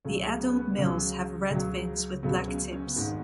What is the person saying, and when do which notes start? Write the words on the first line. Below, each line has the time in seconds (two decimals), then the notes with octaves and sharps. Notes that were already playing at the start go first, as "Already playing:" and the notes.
The adult males have red fins with black tips.
0.05 C#2 C#3 F#3 C#4
0.41 B3
0.50 C#4
0.56 B3
0.77 C#2 C#3 F#3 C#4
1.51 C#2 C#3 F#3
2.23 C#2 C#3 F#3 B3
2.48 C#4
2.72 C#4
2.87 B3
2.96 G#1 G#2 D#3 C#4